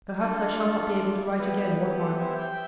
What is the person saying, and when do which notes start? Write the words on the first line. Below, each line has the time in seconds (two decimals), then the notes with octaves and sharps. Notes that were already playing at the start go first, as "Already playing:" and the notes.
Perhaps I shall not be able to write again one while.
0.18 D4 F4 A4
1.39 B3 E4 G4 B4
1.69 B4
1.98 A4 C5
2.19 C5 E5
2.38 E5 G5